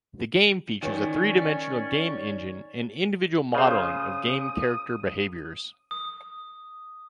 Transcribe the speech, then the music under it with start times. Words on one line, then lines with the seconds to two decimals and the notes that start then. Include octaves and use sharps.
The game features a three-dimensional game engine and individual modeling of game character behaviors.
0.82 D#3 C#4 C#5 D5 G#5
3.55 C#3 C5 D#6
5.91 D#6